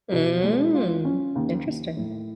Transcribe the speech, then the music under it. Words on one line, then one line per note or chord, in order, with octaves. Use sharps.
Mm. Interesting.
B2
G#3
F4
C#4
D#2
D#2
A2